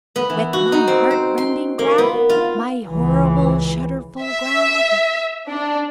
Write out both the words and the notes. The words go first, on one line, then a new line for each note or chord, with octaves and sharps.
With my heart-rending growl--my horrible, shudderful growl?
B3
E3
F#4
D#4
C4
C5
C6
A#3
B3
F4
C#2 E3
E5
D4